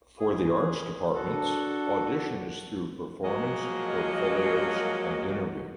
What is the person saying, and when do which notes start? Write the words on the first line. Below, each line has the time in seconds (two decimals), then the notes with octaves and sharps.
For the arts departments, audition is through performance, portfolios, and interview.
0.20 G#4
1.14 F#4 A4
1.32 D4
3.23 F3 F#3 G#3 A#3 A#4 D#5